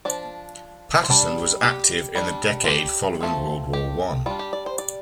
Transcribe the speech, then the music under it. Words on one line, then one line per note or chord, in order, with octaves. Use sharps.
Patterson was active in the decade following World War One.
F3 D4 D5
C5
G3 D4 D5
G4
G3 D4
F4
G4
F3 A3 C4
G4
G3 D4 F4
G4
D5
C5
D5